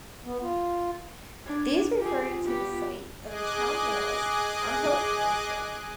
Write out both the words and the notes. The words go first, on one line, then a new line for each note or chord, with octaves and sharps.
These referred to the site of the Town Mills on Hillfarrence Brook.
B3
F4
D4 G#6
F4 G4 G#4
B3 G4
G#4 D#5 G#5 D6 F#6